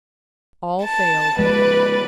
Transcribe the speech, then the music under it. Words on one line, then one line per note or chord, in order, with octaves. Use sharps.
All failed.
A5
F3 G#3 B4 D5